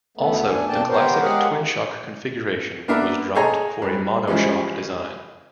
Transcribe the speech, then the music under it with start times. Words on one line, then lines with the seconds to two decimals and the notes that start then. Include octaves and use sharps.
Also, the classic twin-shock configuration was dropped for a mono shock design.
0.17 D2 A3 B3
0.48 D4 G#5
0.69 F2 B2 A#3 D4 G5 A5
0.89 B3 G4 A#4 C5 C#5
1.20 G#3 G4 G#4 A#4 F5 F#5
2.88 A#3 B3 D4 A#4 E5
3.35 G#4 A4 C#5 D#5 G#5 A#5
3.82 G2
3.98 G2
4.27 C#3 E3 F3 G3 G#3